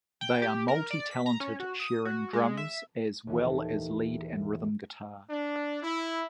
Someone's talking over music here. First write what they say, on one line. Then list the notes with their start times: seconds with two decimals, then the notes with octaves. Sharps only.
They are multi-talented, sharing drums as well as lead and rhythm guitar.
0.21 G5
0.42 G4
0.68 A#4
0.91 D5
1.11 B6
1.26 A#5
1.40 C#4
1.60 F#4
1.80 D#6
2.05 F#4
2.33 G#3
2.57 E5
3.27 D#2 A#2 E3 A4
5.30 D4
5.83 E4